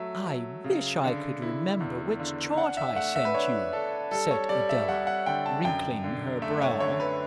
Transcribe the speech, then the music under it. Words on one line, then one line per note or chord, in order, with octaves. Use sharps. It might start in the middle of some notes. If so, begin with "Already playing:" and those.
"I wish I could remember which chart I sent you," said Adela, wrinkling her brow.
Already playing: F#3 A3 E5
F#3
C#3
D3
E4
E2
D3
D4 F#5
E5
A3 F#5
E5
B4
D4 C#5
D4 A4
G3 A4
C#5
G3 D5
E5
G3 F#5
F#5
D3 G5
A5
F#2 G5
D3
A3 E5
C#5
D3 C#5
B4